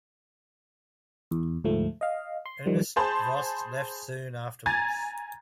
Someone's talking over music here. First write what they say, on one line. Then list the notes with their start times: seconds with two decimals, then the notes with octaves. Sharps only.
Ernst Voss left soon afterwards.
1.31 E2
1.64 D2 G#2 F3 A3
2.01 D#5 F5
2.46 C6
2.66 D#3 F3 G3
2.96 G#4 C5 A5 B5
4.66 G#5 A#5 G#6 A6